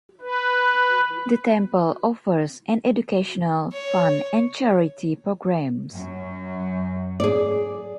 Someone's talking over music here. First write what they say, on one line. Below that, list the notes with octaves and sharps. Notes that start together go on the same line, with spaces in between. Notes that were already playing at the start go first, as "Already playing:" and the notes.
The temple offers an educational fund and charity programs.
B4
C#5
F#2 F#3
G#4 D5